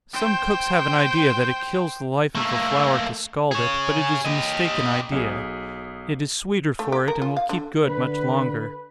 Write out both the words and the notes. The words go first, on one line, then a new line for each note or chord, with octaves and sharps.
Some cooks have an idea that it kills the life of the flour to scald it, but it is a mistaken idea--it is sweeter for it, and will keep good much longer.
C5 G5
A3 A#3
G#4 C#5
G4 D#5
B1 G#4
A3
G4
A#4
F4
F5
D3
D3 B4